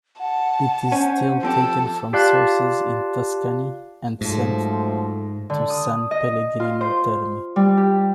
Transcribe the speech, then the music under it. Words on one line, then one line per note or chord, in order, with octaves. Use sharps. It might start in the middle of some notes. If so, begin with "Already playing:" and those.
It is still taken from sources in Tuscany and sent to San Pellegrino Terme.
F#5 A5
C#4 C5
F3 C4 G4 A4 A5
F4 G4 D5 F5 A5 F#6
G#2 F3 F#3 A3
D3
D#6
D#5
F4
C5
G3
G4